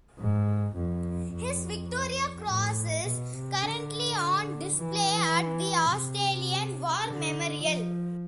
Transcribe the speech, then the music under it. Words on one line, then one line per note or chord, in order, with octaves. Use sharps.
His Victoria Cross is currently on display at the Australian War Memorial.
G#2
F2
F2
A2
B2
C3
D3
E3
C3
D3
F3